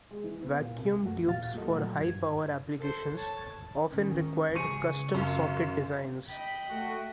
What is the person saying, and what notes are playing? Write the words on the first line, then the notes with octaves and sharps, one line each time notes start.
Vacuum tubes for high-power applications often required custom socket designs.
G#3
E3
B3
A#2
C2
F#2 A3 F#4
E2 A#2 F#4 F5 A6
G3 A#3 F4 F#4 A4 D#5
A#2 F#3 A3 F4 F#4
G2 G#6
A4 C5
C#5 A5
G#2 D#3 C#4
G#2 C#3 G#4 B4 C#6 C#7 D#7
F#2 C#4 F4
D#5 G5 B5
A3 F#4